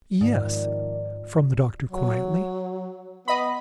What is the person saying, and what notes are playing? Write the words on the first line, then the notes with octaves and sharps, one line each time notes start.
"Yes," from the doctor, quietly.
G#2 D#3 F3 D5
F#3
B3 D#5 B5